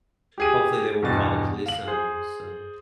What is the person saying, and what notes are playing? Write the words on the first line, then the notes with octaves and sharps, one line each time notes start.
hopefully they won't call the police on you, so
G4 G#4 D#7
E2 G2 B2 A6
F5 F#7
G#4 C5